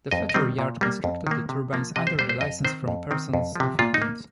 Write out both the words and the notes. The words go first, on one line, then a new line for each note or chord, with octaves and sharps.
The Fletcher Yard constructed the turbines under license from Parsons of England.
F2 D#5
D#5
D#3 G3 C4
A#2
G3 A#3
F2
D#3 A#3
C3
F3 A#3
C3 D#5
C5
G3 A#3 C5
C5
F2 D#5
D#3 C4 C5
F2
D#3 C4
F2
C3 F3
A#2 F4
D#4
A#3